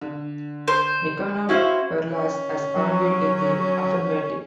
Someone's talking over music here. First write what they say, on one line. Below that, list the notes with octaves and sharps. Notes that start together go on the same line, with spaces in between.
Nicanor Perlas has argued in the affirmative.
D3
C5
C#4 E4 F#4 C5 F5
C#4
F#3